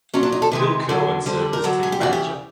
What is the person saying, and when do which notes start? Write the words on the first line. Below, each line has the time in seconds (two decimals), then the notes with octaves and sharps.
Bill Kerwin served as team manager.
0.14 A#2 F#3 C#4
0.23 D4
0.32 D#4
0.42 A4
0.52 C3 D#3 G#3 B4
0.89 D3 F#3
1.26 D3 G3 C5
1.53 A#4
1.64 D3 F#3 A4
1.83 G#4
1.92 G4
2.01 C#3 E3 G3 F#4
2.13 G4